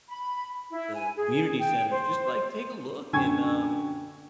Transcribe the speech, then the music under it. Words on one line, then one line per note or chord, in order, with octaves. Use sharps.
the community centers. Just, like, take a look and, um,
B5
E4
G#5
G#4
G5
C5
F#2 D3 G5 G#5 C#6 G#6